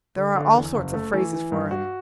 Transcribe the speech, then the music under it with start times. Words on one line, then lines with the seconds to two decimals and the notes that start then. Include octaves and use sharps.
There are all sorts of phrases for it.
0.16 D3
0.35 D3
0.55 E2
0.74 F#1
0.94 A3
1.13 E3
1.33 E3
1.52 G2
1.71 F#4